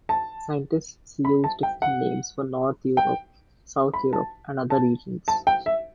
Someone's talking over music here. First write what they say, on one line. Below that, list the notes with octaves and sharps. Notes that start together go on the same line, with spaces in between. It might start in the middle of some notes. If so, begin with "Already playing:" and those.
Scientists use different names for north Europe, south Europe and other regions.
A5
B5
A5
G5
F#5
G5
B5
A5
A5
A5
G5
E5